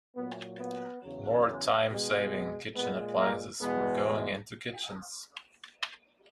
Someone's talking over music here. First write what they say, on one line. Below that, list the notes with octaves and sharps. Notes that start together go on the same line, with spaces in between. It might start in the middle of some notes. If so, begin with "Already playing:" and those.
More time saving kitchen appliances were going into kitchens.
A#2 F#3 B3
B3
E2 C#3 F#3
B2 G#3
B3
A#2 G#3 B3
A#3
E2 B2 G#3 B3